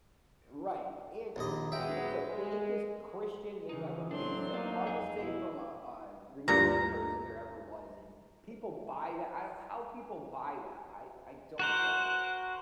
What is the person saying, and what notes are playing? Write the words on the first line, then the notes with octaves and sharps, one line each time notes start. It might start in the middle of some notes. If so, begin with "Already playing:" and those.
Right, and he's the fakest Christian there's ever wa he's the farthest thing from a a religious person there ever was, and people buy that, I don't How people buy that, I I don't get it.
A#1 D#2 D#5
F#3 G#3 B3 E5 G5
G#3
C#3 E3 D#4
A2 F#3 C4 D4 C6
A#3 C4 D#4 D5
F2 G#4
B2 E4
D2 G2 A#2 A#5
F#4 A#4 C5 F#6